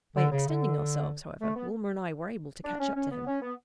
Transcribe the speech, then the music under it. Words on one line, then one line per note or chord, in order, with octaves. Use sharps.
By extending ourselves, however, Wilma and I were able to catch up to him.
D3
C#3
D3
A3
B3
D4
C#4
C#4
B3
C#4
B3